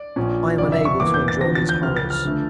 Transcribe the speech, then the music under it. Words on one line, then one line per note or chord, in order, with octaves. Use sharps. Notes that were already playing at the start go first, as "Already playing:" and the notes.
I am unable to endure these horrors.
Already playing: D5
A#1 A#2 F3 C#4
G1 F2 C#3 D5
E5
C#6
E1 E2 E3 A#3 D6
G6
A6
E2 D3 F3 A#6
A6
G6
C#2 C#3 F3 F6
A6
F6
D3 F3 A3 D4